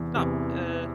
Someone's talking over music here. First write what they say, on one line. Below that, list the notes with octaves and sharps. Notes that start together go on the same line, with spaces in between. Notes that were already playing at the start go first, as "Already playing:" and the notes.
not eh
Already playing: E2 C3 E3
E2 C3 E3